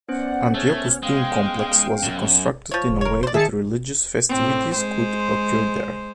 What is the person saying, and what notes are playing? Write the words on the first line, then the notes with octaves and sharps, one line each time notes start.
Antiochus' tomb complex was constructed in a way that religious festivities could occur there.
B3 C#4 C5 D5 F#5
A3 G#4 C#5 F6
G#3 F5 G5
F#2
F3 C#5
F1
A#4 C#5
C5 D5
D#3 G#4 E5 A5 C#7
A2 C4
G#3 C5